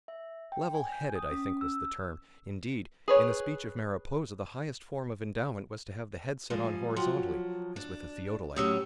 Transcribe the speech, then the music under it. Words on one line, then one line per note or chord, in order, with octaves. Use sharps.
"Level-headed" I think was the term; indeed in the speech of Mariposa, the highest form of endowment was to have the head set on horizontally as with a theodolite.
E5
G5
G#5
G6
D#6
C#4
E6
G#4 B4 C#5
F3 G3 G#3
F3 F#3 F#4 G5 C6
D4
A2 F#3 C#4 G4 D#6 E6